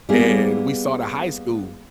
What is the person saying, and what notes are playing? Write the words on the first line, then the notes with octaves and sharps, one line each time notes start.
and we saw the high school,
G3 A#3 B3 E4 G#4